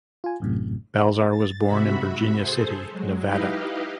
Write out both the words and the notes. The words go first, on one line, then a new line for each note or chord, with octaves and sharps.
Balzar was born in Virginia City, Nevada.
F4 G#5
A1 F#2 A2 C3
A6
G#2 C3 F#4 E5 B5
G#4 A4 C5
F#3 G#3
D#4 E4 G4 B4 D#5 F5